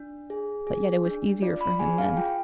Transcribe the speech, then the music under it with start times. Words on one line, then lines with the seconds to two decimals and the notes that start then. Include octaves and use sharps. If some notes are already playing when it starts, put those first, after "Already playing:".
But yet it was easier for him then.
Already playing: D4
0.30 G#4
0.67 G#4
1.05 D4
1.42 F4 D5
1.61 B5
1.79 G#4 G#5
1.98 F5
2.17 F4 G5